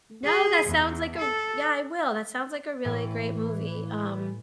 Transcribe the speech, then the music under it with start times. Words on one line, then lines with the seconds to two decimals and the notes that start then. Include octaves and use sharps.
No, that sounds like a r yeah, I will. That sounds like a really great movie, um,
0.24 G#4
0.66 E2
1.16 A4
2.85 A2 E3